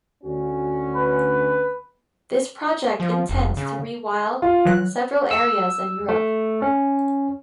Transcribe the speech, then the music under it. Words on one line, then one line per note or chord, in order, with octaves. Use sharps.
This project intents to rewild several areas in Europe.
D2 C#4 F#4
B4
F3
F1
C#3
F4
E3 F#3 F#6
E6
A3
C#4